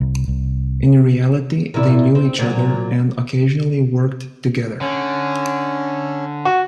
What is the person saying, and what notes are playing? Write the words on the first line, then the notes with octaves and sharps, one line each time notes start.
In reality they knew each other and occasionally worked together.
C2
C2
A#2 E4
C4
A#2 F#3
D3 C#4
F#4